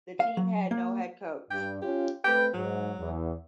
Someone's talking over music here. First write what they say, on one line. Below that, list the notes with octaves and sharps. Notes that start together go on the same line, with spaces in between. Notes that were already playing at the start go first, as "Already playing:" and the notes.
The team had no head coach.
F5
F#3
A#3
G2 G5
C#4 F4 G4
A3 C4 B4 G5
G#2 F#3
E2